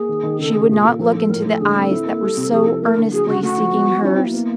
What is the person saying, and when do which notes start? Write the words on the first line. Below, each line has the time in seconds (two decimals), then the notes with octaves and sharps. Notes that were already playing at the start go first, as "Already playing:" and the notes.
She would not look into the eyes that were so earnestly seeking hers.
Already playing: A#3 G#4
0.09 D#3
0.23 D#3
0.39 C#3 A4
0.54 C#3 G#4
0.69 A#2 G#4
0.84 A#2 A4
0.99 F3 A4
1.14 F3 A4
1.30 A2 A#4
1.45 A2 A4
1.60 D3 G#4
1.76 C4 A4
1.91 E4
2.06 A#3
2.21 G3
2.37 C3
2.51 F3 G#4
2.66 E4 A4
2.82 A#3 A#4
2.97 D3
3.12 F#3 G#4
3.27 C#3 F#4
3.43 A3 F#4
3.58 F3
3.73 B3
3.88 F#3
4.03 C#4 E4
4.13 C4 E4
4.24 A#3
4.34 B3